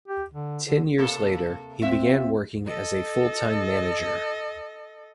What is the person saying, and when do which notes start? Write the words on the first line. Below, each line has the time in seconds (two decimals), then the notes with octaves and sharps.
Ten years later, he began working as a full-time manager.
0.08 G4
0.34 D3
0.66 D3
0.98 C3 A#3 A4
1.82 C4 F4 E5
2.66 A4 D#5